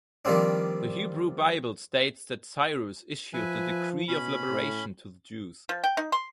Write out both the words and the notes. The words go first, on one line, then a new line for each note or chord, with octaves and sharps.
The Hebrew Bible states that Cyrus issued the decree of liberation to the Jews.
D#3 F3 G3 A#3 C4 D4
F3 B4 E5 G#5
B2 C#4 B5
A2
F3
G5
D#4
C6